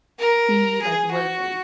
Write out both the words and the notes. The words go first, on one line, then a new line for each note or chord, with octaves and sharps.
see, like, what, uh,
A#4
G#4
F#4